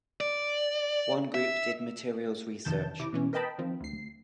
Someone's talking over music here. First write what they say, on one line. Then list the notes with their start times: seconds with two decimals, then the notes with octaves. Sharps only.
One group did materials research.
0.21 D5
1.34 E5
2.65 F2 C3 D#3 A5 G6
3.00 C3 E4 D6
3.13 B2 E3 C#4
3.33 A#4 B4 D#5 G5 A5 B5
3.58 D#3 F3 C4
3.81 D2 C7